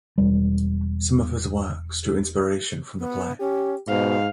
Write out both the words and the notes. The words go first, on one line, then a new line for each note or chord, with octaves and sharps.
Some of his works drew inspiration from the play.
E1 G3
B3
C#4 G4
G#2 B2 C5 F5